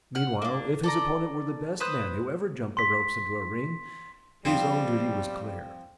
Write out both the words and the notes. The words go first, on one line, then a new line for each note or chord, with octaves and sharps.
Meanwhile, if his opponent were the best man who ever jumped the ropes into a ring, his own duty was clear.
F#5 F6
A#3 D4
A4 D5 A#5
B4 C5 D#6 F#6
C6 B6
F3 G3 C4